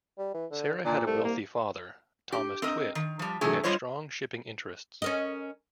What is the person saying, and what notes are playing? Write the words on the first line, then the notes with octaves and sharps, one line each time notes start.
Sara had a wealthy father, Thomas Twitt, who had strong shipping interests.
G3
E3
D3
A#2 D4
C2 A3
A#3
G4
C4 A#4 D#5
D#3
F3 G3
C3 E3 F#3 A3 G#4
G3 F4 C5 C#5 D#5
C#4 A#4 D#5